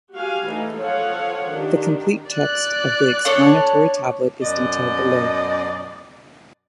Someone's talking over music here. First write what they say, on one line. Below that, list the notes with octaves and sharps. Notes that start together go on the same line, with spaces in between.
The complete text of the explanatory tablet is detailed below.
F#4 G4 F5 G#5
E3 A3 D#4
F3 A4 C#5 F5 F#5
D#3 D4 G4
D5 F#6
D4 A4 C#5
F#2 B2 D5 D#5